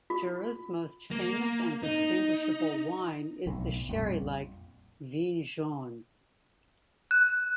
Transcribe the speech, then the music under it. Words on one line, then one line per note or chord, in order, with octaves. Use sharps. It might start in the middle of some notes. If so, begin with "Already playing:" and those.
Jura's most famous and distinguishable wine is the sherry-like "vin jaune".
F4
A#3
D#4
B1 A2
A#1 F2 A#2 G3
F#6